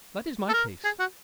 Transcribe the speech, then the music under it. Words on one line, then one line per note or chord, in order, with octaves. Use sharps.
"That is my case."
A4
A#4
G#4
F#4